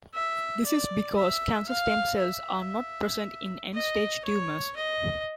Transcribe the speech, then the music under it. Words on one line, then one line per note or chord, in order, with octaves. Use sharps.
This is because cancer stem cells are not present in end-stage tumors.
E5
D5
E5
F5
E5
D#5
C#5
D#5